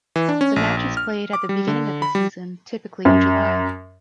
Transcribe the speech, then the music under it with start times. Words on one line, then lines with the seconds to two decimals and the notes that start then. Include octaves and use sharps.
The match is played at the beginning of the season, typically in July.
0.16 E3
0.29 D4
0.41 C#4
0.56 A#1
0.77 A#1
0.97 F6
1.33 D6
1.49 G3
1.68 D3
2.02 B5
2.15 G3
3.05 F#2